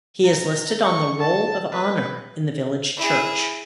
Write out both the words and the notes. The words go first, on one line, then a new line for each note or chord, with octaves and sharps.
He is listed on the Roll of Honour in the village church.
A#5
C#6
A5
B4
E4 G#4